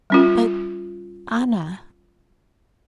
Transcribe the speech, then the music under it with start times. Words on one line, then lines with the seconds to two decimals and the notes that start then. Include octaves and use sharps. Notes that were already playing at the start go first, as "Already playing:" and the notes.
"But, Anna..."
0.10 G3 C#4 F4